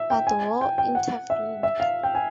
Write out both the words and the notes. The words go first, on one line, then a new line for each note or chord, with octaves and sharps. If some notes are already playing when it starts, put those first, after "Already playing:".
But war intervened.
Already playing: E5
G5
G#5
G5
G5
F#5
E5
E5
F5
G5
G#5